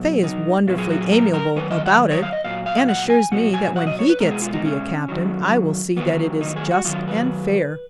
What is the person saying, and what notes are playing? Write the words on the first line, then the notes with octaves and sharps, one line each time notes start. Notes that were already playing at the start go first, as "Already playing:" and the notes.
Faye is wonderfully amiable about it, and assures me that when he gets to be a captain I will see that it is just and fair.
Already playing: B2 F#3
D#4
A#2 F#3 F4
G#4
F#4
G#4
A#4
A#4
F#2 D#3 B4
D#5
F#5
C#5
F5
D#5
A#2 F#3 F5
F5
F#5
G#5
B2 F#3 F#5
G#5
F#5
D#5
C#5
B4
B2 G#3 A#4
G#4
F4
D#4
C#4
F#2 D#3 F#3
F2 D#3 F#3 B3
D#4
G#4
F#4
F#2 D#3 F#3 F4
B4